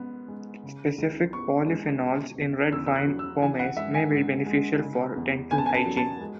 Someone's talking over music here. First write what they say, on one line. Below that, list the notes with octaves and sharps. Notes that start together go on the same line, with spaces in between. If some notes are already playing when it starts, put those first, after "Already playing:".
Specific polyphenols in red wine pomace may be beneficial for dental hygiene.
Already playing: G#2 B3
G#3
C#3
C#2
B3 C#6
G#3
B2
E2
E2 E6
E6
F#6
F#3
E6
E3 G#5
F#5
G#2 E5
G#5
G#2
G#3
C#3
E2
B3 G#5
A5
G#5
A5
F#3
A5
G#3